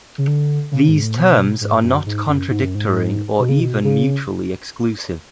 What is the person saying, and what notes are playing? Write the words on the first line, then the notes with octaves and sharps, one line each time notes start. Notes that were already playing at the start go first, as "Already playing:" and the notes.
These terms are not contradictory or even mutually exclusive.
C#3
D3
C#3
G#2
A2
B2
G#2
F#2
G#2
F#2
G#2
F#2
G#2
B2
C#3
B2
C#3